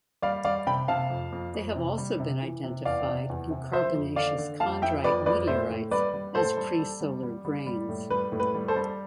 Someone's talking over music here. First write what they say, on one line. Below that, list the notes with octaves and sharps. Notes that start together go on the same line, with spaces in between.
They have also been identified in carbonaceous chondrite meteorites as presolar grains.
G3 D5 F5
G3 D5 F5
C3 G5 B5
C3 F5 A5
F2
F2
F2
C3
G3
C3
E3
C3
E2 D5 F5
C3
E2
C3
F3 C5 E5
F2
D3 D5 F5
D3
F2 F5 A5
F2 E5 G5
F2 B4 D5
F2 B4 D5
A2 C5 E5
A2
G3 B4 D5
G3
A2 A4 C5
G3
G3
G3
G3
G3
G3
A2
G3 B4
A2
B4
G3
A4 C5
G3